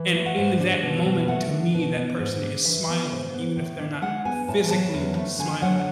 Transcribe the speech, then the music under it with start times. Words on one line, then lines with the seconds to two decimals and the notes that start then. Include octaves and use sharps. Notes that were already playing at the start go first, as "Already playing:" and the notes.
and in that moment, to me, that person is smiling, even if they're not physically smiling.
Already playing: E3
0.15 A3
0.26 F#5
0.37 G#2
0.60 D4 D5
0.83 B2
1.05 B2
1.28 A3 F#5
1.51 D4
1.74 B2
1.97 B3
2.19 G#2
2.42 D4
2.65 E3 E5
2.88 B3
3.11 G#2
3.34 B3
3.56 A2
3.79 D4
4.02 G#3 F#5
4.25 B3 G#5
4.48 A2 A5
4.71 F#3 A5
4.93 E2
5.17 A3
5.39 D3 G#5
5.62 F#3 F#5